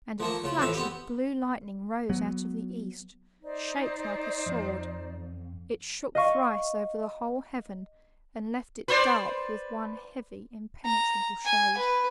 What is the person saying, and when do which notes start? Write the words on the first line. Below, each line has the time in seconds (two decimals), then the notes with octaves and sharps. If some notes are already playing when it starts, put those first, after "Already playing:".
And a flash of blue lightning rose out of the East, shaped like a sword; it shook thrice over the whole heaven and left it dark with one heavy, impenetrable shade.
0.20 F3 A3 A#3
0.44 C#3 F4
0.59 F2 A2 E3 E5 F5
0.74 B3 C4 G4
2.10 F#3 B3
3.42 D#4 C5 D5
4.46 F2
6.15 D#5 F5 C#6
8.88 B4 C5 D5
10.85 A#5
11.45 G#5
11.78 B4